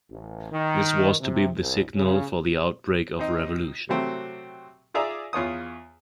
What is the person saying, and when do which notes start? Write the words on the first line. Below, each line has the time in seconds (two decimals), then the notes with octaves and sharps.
This was to be the signal for the outbreak of revolution.
0.11 A1
0.51 D#3
1.21 C3
1.60 C2
1.95 C#3
3.19 C4 D#4
3.89 C3 F#3 A3 C4 F#4
4.94 F4 G#4 D5 E5 A#5 D#6
5.33 E2 F4 C#5 D#6